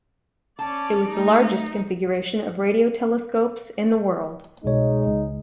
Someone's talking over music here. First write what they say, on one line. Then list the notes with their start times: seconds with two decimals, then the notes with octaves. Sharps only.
It was the largest configuration of radio telescopes in the world.
0.59 C#4 D5 A5
1.10 A3 D#4
4.64 C2 B2 G#3 D#4 C#5
5.07 C#2